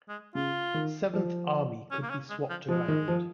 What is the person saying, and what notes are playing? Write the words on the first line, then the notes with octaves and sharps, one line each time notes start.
Seventh Army could be swapped around.
G#3
C#3 F4
D#3
F3
C#4
A#3
C#4
G#3
F3
F3 G#3
D#3
F3